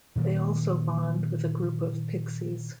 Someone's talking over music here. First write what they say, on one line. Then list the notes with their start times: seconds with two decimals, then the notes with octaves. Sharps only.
They also bond with a group of pixies.
0.16 A#2 D#3 F#3 A#3